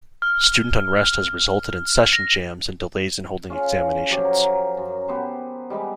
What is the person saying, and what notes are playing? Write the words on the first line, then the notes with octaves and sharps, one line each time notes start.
Student unrest has resulted in session jams and delays in holding examinations.
F6
A#6
C#4 F4 G#4 F5
F3 F#3 G4
A#4
F#2
B3 G4 C5
G3 G#3 B3 G4